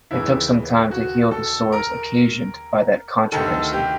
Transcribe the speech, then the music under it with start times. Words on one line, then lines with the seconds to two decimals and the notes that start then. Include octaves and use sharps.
It took some time to heal the sores occasioned by that controversy.
0.11 D#2 C#3 E3 E4
0.91 F#4
1.31 A4
1.72 A#4
3.32 D2 C3 D#3 A4
3.73 G4